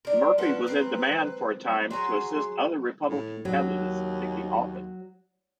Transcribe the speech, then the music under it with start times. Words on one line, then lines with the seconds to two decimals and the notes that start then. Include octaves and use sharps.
Murphy was in demand for a time to assist other Republican candidates seeking office.
0.05 D4 A#4
0.38 F3 F#4 A4 B4
0.67 C4 A#4
1.91 F#3 G#4 A#5 C6
3.09 A2
3.45 D#2 F#3